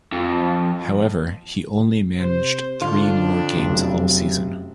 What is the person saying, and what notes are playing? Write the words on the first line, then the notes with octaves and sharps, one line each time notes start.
However, he only managed three more games all season.
F2
C3 C5
F2 D3 D4 F4
F1 F#2